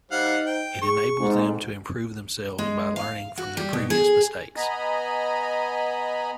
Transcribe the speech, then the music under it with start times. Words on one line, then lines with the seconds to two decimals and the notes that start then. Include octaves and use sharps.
It enables them to improve themselves by learning from their previous mistakes.
0.12 G3 D#4 C5 F5 F#5
0.46 G5
0.82 G#4 C#6
1.20 F2 G#2 C3
2.58 G#3
2.96 F5
3.37 F#4
3.57 G3
3.73 B2
3.90 G#4
4.57 B3 D#5 G#5 A#5 B5